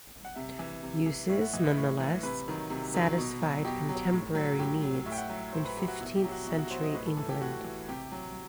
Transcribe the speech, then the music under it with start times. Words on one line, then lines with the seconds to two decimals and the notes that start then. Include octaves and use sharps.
Uses, nonetheless, satisfied contemporary needs in fifteenth century England.
0.25 F#5
0.35 C3 E5
0.59 E3
0.83 C3
1.06 E3
1.29 A2 E5
1.41 F#5
1.53 E3 D#5
1.65 B4
1.77 A2
2.00 E3
2.23 C3 B4
2.48 D#3 F#3
2.70 C3
2.94 D#3 F#3
3.18 B2
3.42 F#3
3.64 B2 G4
3.89 F#3
4.12 A2
4.35 F#3
4.59 A2 G4
4.82 F#3
5.06 A2 E5
5.12 G5
5.18 F#5
5.29 F#3 E5
5.53 A2 C5
5.65 B4
5.77 F#3 G4
5.88 F#4
6.00 B2 E4
6.16 G4
6.24 F#3
6.32 F#4
6.46 B2 E4
6.58 F#4
6.70 F#3 C5
6.82 D#5
6.94 A2 B4
7.06 A4
7.17 E3 A4
7.29 G4
7.41 A2 F#4
7.64 E3
7.88 C3 G4
8.12 F#3